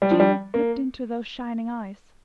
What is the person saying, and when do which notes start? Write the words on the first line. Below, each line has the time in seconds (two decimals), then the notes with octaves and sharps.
Jane looked into those shining eyes.
0.02 G3
0.11 F3
0.20 G3
0.54 A#3